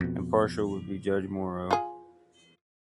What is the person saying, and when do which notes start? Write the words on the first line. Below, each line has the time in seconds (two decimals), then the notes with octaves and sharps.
Impartial would be Judge Moro.
0.01 F2 B2
1.71 F4 G#4